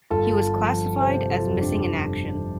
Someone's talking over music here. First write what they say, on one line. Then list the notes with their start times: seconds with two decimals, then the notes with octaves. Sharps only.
He was classified as missing in action.
0.10 G1 F4 A4
0.56 F3
1.01 C3 G4 C5
1.31 F4 A4
1.47 F2
1.61 D4 G4
1.92 G1
2.38 F3